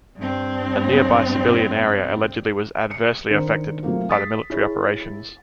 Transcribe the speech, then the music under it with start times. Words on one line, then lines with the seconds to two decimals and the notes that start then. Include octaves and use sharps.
A nearby civilian area allegedly was adversely affected by the military operations.
0.17 G2 C4
2.91 C#7
3.31 D#3 D4 D#4 C5
3.83 C3 F#3 A3 A#3 F4
4.09 D#6 A6 B6 C7
4.50 E4 G#4 C#5